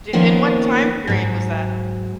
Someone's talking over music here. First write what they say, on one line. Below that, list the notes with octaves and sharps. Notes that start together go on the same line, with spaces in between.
T in what time period was that?
D#3 F3 A#3 B3 C#4
G#2 F#3